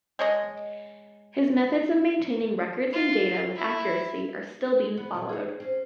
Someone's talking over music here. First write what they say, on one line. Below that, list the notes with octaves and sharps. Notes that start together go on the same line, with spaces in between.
His method of maintaining records and data with accuracy are still being followed.
G#3 C#5 D#5
F4
E4
B3
A#2 D#3
G#4 C#5
C4 C#4